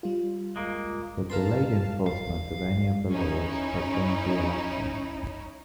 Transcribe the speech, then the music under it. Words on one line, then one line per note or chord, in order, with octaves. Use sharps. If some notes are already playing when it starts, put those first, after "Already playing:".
The delayed enforcement of any of the laws postpones the election.
G3 F4
G#3 A#3
A#4 B4 F5 A5 C6
F5
C#4 D#4 E4